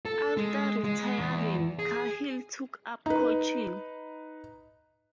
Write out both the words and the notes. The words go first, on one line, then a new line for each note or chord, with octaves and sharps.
After retiring, Cahill took up coaching.
A4
G#3
G#3
E2
G#4
D#4 B4